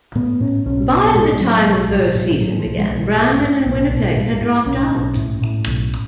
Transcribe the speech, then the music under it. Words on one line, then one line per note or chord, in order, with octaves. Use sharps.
By the time the first season began, Brandon and Winnipeg had dropped out.
A2 B3
A2 C#4
B1 C#4
B1 B3
A2 G#3
A2 F#3
B1
B1
A2
A2 F#3
F3
B1
G#3
B1
A2
A2
B1
B1
A2
A2
B1 C#4
B1
A2
A2
B1